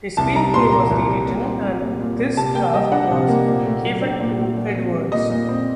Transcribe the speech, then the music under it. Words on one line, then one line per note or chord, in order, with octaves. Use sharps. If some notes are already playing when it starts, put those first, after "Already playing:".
The screenplay was re-written and this draft was given to Edwards.
C2 A5
G3 A#5
A#2 C6
A#3 A#5
C2
G3
A#2
C4
A3
A#2
A#2
C4
C3 A5
A#3 G5
G3 D#5
D4 F#5
C3
A#3
A#2
A3
F#3
D4
A#2
A3
A#2
C4
G3
A#2 D#5
A#2
C4